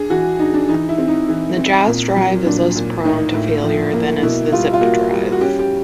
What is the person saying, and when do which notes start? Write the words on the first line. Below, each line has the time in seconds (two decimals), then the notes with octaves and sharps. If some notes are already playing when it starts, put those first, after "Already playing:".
The Jaz drive is less prone to failure than is the Zip drive.
Already playing: D4 G#4
0.10 E3 F#4
0.39 D4 D#4
0.54 D4
0.69 E3 D#4
0.89 E4
0.98 C4
1.08 D#4
1.28 E3
1.57 C4
1.87 A#2
2.16 F#3
2.46 A#2 D4
2.75 A#2
3.05 A2 D#4
3.34 A2
3.64 F3
3.93 A#3
4.22 B2 E4
4.52 G3 F4
4.74 F4
4.81 A#3 F#4
5.11 G3
5.32 F#4
5.41 C#4 G4
5.59 G4